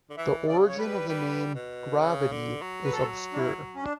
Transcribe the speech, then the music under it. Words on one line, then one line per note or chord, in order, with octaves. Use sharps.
The origin of the name "Gravity" is obscure.
D3
E3 E5
C#3 D5
C#5
G3 B4
G3
B2
C#3
D3
F#3
B4
A4
D4
E4
C#4
D4